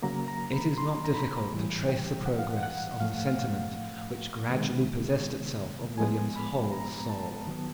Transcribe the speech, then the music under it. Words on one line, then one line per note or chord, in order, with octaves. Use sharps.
It is not difficult to trace the progress of the sentiment which gradually possessed itself of William's whole soul.
C#3 F#3 A#3 A#5
A#5
B5
C6
A#5
B5
A2 E3 G3
G5
F#5
F5
F#5
F#5
A2 F3 A3 F5
F#5
F5
C3 D#3 G#3 B3
A2 F3 G#3 B3 G#5
B5
A#5
A5
D#3 F#3 B3